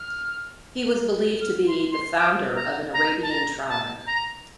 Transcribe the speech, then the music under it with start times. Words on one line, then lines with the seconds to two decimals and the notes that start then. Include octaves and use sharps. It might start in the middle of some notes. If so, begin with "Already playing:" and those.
He was believed to be the founder of an Arabian tribe.
Already playing: F6
1.41 F6
1.67 C6
1.92 C6
2.17 D6
2.55 A#5
2.93 A#5
3.22 A5
3.31 A#5
3.69 A5
4.06 A#5